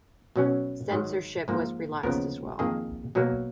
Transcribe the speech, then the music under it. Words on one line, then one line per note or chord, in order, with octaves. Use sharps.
Censorship was relaxed as well.
B2 F#3 C#4
G#2 D#3 F#3
G#2 F3 A#3
D#2 C#3 F3 B3 A#4
F2 D#3 A#3 G#4
B2 F#3 A#3